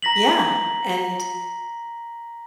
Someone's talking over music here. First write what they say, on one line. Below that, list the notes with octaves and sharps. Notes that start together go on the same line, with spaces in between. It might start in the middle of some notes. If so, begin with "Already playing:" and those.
yeah, and
A#5 A#6 B6 F#7